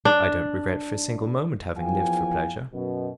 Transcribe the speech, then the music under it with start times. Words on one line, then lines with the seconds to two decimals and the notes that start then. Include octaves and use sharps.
I don't regret for a single moment having lived for pleasure.
0.05 D4
1.76 E2 F3 A#3 F5 G5 G#5
2.73 F#2 B2